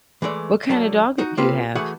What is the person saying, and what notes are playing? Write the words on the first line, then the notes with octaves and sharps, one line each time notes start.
What kind of dog do you have?
E3 G#3 A3 D5
D3 F#3 A5
D#4 F#4
A#3 C4 F4 G4 A4 B4
E3 A3 F#4 G#4 F#5